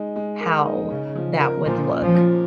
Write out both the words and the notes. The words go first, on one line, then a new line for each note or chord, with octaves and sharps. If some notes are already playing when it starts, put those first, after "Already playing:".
how that would look.
Already playing: G#3 D#4
G#3
A#4
D#4
C#3 C#4
F3
A#4
A#2 F3
C#4
F3
F3